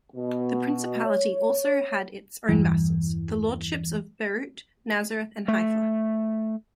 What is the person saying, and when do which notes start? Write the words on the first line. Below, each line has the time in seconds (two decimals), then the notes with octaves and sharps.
The Principality also had its own vassals: the Lordships of Beirut, Nazareth, and Haifa.
0.16 B2
1.06 C#5
2.48 E2 G2 E3
5.48 A3